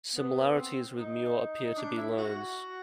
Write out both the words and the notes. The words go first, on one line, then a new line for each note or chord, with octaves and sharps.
Similarities with Mure appear to be loans.
B3
C4
D#4
D4
E4
F#4